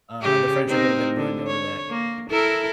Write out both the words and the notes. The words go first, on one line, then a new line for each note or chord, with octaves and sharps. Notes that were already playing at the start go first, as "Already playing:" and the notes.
uh, the friendship would have been ruined over that.
C#3 G4
C4 D#4 A#4
D3
C#5
A#3
E4 A4 A#4